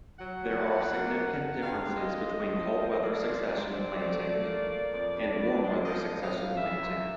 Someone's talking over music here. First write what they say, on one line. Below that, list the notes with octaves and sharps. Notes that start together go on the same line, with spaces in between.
There are significant differences between cold weather succession planting and warm weather succession planting.
F#3 F#5
F#3
F#3
A#3
F#2
A#3
G2 F5
C4
D#5
C4
C4
F3
F3
A#3 D5
F3
G#2
C4
A3
A3
A#3
A#3
F2
G2
G2
G#3
F3 D#5
A2
F5
A2
E3 E5
F#2